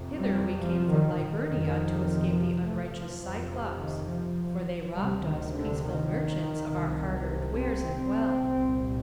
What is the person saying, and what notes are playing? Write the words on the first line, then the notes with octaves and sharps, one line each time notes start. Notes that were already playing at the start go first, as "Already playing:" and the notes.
Hither we came from Liburnia to escape the unrighteous Cyclopes; for they robbed us, peaceful merchants, of our hard-earned wares and wealth.
Already playing: F2 C3
G3
F3
D#3
D#3
F2 C3
F3
A3
F3
F2 C3 F3
F3
D#3
F3
D2 C3 G3
D#3
D3
D#3
C2 C3
C4
C2 A#2